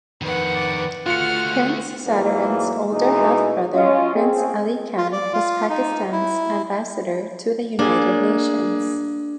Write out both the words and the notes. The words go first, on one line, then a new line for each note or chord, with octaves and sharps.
Prince Sadruddin's older half-brother, Prince Aly Khan, was Pakistan's Ambassador to the United Nations.
F2 D#3 B4 F#5
D5
A3 F4 F#4 F#5 F6 C#7
G#2 E3 F#3 A#3
B2 E3 G#3 D#4 G#4
C#4 F4 D#5
C4 G#4
F4
D5
F4
D#4
E4
A#3 D4 G#4